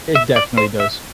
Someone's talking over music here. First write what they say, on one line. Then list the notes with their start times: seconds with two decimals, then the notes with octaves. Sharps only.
It definitely does.
0.15 E5
0.36 D5
0.58 C5
0.80 E5